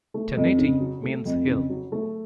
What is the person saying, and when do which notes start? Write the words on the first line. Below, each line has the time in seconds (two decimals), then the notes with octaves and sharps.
"Tanety" means hill.
0.14 A3
0.37 F2
0.59 C#3
0.80 F#3
1.03 A3
1.25 F2
1.47 C#3
1.70 F#3
1.92 A3